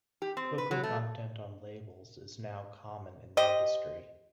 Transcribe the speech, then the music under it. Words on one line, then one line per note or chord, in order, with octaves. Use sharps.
Cacao content on labels is now common in the industry.
G4
C4
B4
F#3
A3
G4 C5 D#5